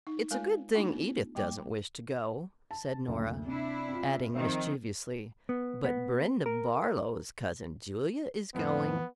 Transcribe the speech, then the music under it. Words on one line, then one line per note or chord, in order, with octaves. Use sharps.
"It's a good thing Edith doesn't wish to go," said Nora; adding mischievously, "but Brenda Barlow's cousin Julia is going."
D#4
G#3 F4 A#4 C#5 G#5
A3 D4 D#4 F4 G#4
B3
G3 A#3 G5 D6
A5
F#1 D2
C3 D4 E4
C4 F4
D#3 F3 C4 C5 E5
B3
B3
A#4
F2 A2 F3 B3